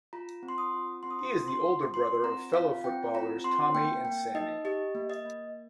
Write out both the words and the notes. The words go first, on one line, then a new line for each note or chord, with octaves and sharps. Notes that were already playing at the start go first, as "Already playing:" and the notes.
He is the older brother of fellow footballers Tomi and Sammy.
F4 A#5
C4
C6
D#6
F4
C4 C6
D#6
C6
F4
C6
C4
F4 C6
C4 A#5
F4 F5
C4 G5
F4 A#5
C4 C6
A#3 G5
A#3 G5
D#4 D#5
G4 D#5
A#3
D#5
A#3